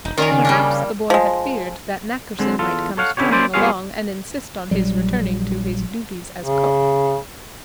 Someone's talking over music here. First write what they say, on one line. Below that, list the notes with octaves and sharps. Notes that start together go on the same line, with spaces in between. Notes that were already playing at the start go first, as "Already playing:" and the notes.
Perhaps the boy had feared that Nackerson might come storming along, and insist on his returning to his duties as cook.
E1 D#4
D#3 C#4 F4 A#4 D5 G#5
C#3
G3 A#3 D4
F3 G#3
D3 G#3 C4
E2 F4 A4
A4 C#5 F5 F#5
D3 C#4 E4 F#4 G4 C#5
A#3 C#4 E4 C5 D5
G3 B3 F4 G#4 C#5 F5
A#1 F#3 G3
C#3